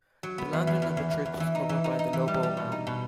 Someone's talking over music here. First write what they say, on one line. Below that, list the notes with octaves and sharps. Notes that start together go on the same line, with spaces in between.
The landing of the troops was covered by the "lobo mau".
F#3
B3
E2
E2
E2
E2
E2
E2
E3
D#4
E3
D#4
D#4
E3
G3
G3
B2
D#4
B2